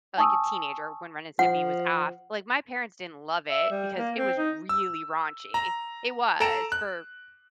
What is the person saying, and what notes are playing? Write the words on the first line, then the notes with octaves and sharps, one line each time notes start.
like, a teenager when Ren and Stimpy was off, like, my parents didn't love it because it was really raunchy. It was for,
G#5 A5 C#6 D#6 E6
F3 F#5
E5
G3
A#3
C4
D#4
E6
A#5
A4 A#5 D7 E7
F#6